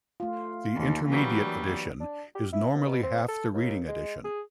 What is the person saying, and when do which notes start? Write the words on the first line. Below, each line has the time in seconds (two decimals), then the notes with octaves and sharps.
The intermediate addition is normally half the reading addition.
0.20 A3 F4
0.75 D#2
1.09 E3 F#3 G3 A#3 D4 B4
2.00 D4
2.35 G4
2.53 E4
2.74 D#2
2.86 B2
3.03 C4
3.28 A4
3.54 D#2
3.88 G#3
4.24 G#4